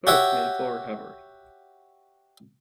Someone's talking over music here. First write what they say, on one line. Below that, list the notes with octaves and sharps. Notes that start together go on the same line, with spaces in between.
Both made a full recovery.
F#4 G4 C#5 E5 F#5 G5